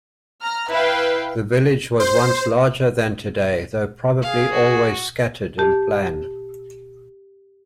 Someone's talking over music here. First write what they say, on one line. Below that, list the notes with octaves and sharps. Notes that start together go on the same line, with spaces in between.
The village was once larger than today, though probably always scattered in plan.
A#5 F6
E4 B4 F5 G5
C5
G#4 F5
F#4
G4 A5